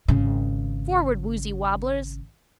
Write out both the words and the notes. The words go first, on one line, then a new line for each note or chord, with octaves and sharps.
Forward, woozy wobblers!
G#1 C#3